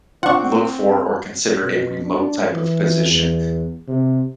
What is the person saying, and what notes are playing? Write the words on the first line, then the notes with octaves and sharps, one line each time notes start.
look for or consider a remote type of position.
C4 D4 F4 F#5 C#6
B2
D4
E3
E2
C3